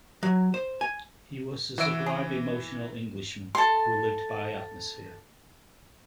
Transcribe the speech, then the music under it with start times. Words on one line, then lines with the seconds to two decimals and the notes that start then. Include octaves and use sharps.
He was a sublime emotional Englishman, who lived by atmosphere.
0.23 F#3
0.54 C5
0.81 G#5
1.78 E3 F#4 E5 D7
2.06 G#4
3.55 A4 C6